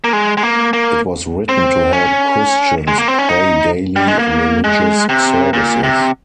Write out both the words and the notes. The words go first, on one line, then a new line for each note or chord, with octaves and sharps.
It was written to help Christians pray daily religious services.
A#3
G#3
G#3
A#3
A#3
C4
C#4
G#3
A#3
C4
C#4
D#4
G3
G#3
A#3
G#3
C3
A#2
C3